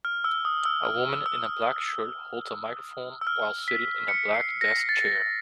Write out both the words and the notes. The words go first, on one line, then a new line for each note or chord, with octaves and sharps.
A woman in a black shirt holds a microphone while sitting in a black desk chair.
F6
E6
D#6
E6
F6
E6
E6
F6
B6
C#7
C7
A#6
A6